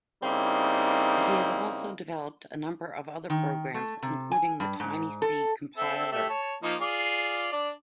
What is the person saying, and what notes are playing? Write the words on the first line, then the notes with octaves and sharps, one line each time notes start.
He has also developed a number of other programs, including the Tiny C Compiler.
C#3 G3 A#3 C4 D#4 E4
D#3
A3
C3
G#5
G2
G#2
A4
C4 A4 E5
A3 G4 E5
C#5 A5
F3 A#3 D#4
F4 G#4 D5
D4 D5